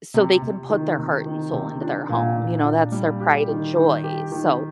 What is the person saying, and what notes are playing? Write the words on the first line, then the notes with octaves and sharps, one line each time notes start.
so they can put their heart and soul into their home, you know, that's their pride and joy, so
C3
C3
D#3
C3
D#3
C3
D4
A#2
A#2
D4
G3
G4
D#3
D#3
G4
D#3